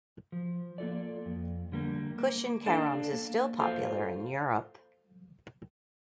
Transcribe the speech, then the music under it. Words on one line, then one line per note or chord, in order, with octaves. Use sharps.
Cushion caroms is still popular in Europe.
F3
A#3 F4 A4 D5
F2
D3 G3 A#3
A#3
D4 A4 D5 F5
A#3
F4 A4 C5 F5